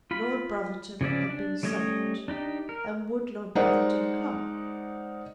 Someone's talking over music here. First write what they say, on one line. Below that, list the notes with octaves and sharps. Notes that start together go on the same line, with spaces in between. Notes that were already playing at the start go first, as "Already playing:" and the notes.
Lord Brotherton had been summoned, and would Lord Brotherton come?
F4 B5
C#3 F3 C#4 D5 E5
D4
G3 A3 C#4 C#5 D#5
D4 D#4 G4
A#4
G#3 D#4 A#4 C5 D5 F#5